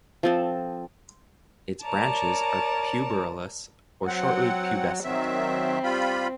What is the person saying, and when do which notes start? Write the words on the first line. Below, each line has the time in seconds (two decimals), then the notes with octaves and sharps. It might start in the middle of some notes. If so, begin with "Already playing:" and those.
Its branches are puberulous or shortly pubescent.
0.23 F3 C4 A4
1.84 A#4 C#5 D5 A5 A#5
4.07 F#3 C4 F#5
5.04 D#3 F#3 C4 E5
5.83 G3 F4 B5